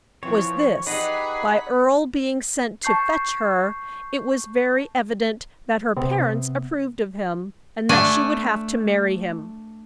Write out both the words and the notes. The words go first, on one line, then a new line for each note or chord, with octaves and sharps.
It was this: by Earle being sent to fetch her, it was very evident that her parents approved of him, and that she would have to marry him.
E3 F3 C4 C#5
D#4 G4 G#4 B4 F#5 B6
A5 C#6 G6 C7
C3 B3 C4
A3 D4 G#5